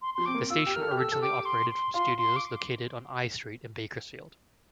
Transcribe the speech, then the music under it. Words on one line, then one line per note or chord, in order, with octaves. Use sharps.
The station originally operated from studios located on Eye Street in Bakersfield.
C6
F3 C6
C4 D6
A#3
F4 E6
G4
A#4 F6
A4
G4
A4 E6
A4
G4 D6
C6
C6
F4 C6
C6
D6